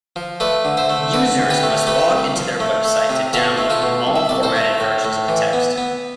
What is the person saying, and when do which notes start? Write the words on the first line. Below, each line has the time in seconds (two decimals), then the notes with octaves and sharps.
Users must log into their website to download all formatted versions of the text.
0.16 F3
0.40 A3 B4 D5
0.65 D3
0.77 C5 E5
0.90 A3
1.13 D3 B4 D5
1.38 D2
1.50 G4 B4
1.63 A3
1.87 A3 G4 B4
2.11 C2
2.36 F3
2.60 A3
2.84 A3
3.09 C3
3.33 B2 F4 A4
3.58 A3
3.70 F4 A4
3.82 B2
4.07 C2
4.16 E5
4.29 C2 D5
4.43 A4 C5
4.55 A3
4.80 A2
5.05 A2
5.28 E3
5.53 B3
5.78 B3